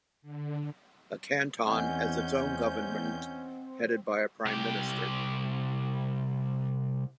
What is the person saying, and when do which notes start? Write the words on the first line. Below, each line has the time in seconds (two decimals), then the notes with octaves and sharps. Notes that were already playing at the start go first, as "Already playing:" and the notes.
A canton has its own government headed by a prime minister.
0.22 D3
1.67 E2 C4 C#4 D#5 F#5 G#5 G6
4.46 C2 G4